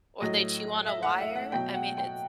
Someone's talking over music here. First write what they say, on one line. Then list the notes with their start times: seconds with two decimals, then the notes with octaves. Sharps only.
or they chew on a wire. I mean, it's
0.21 A2 F#3 D#5
0.86 E5
1.03 F#5
1.20 E5
1.36 F#5
1.52 B2 F#3 G5
1.74 F#5
1.97 G5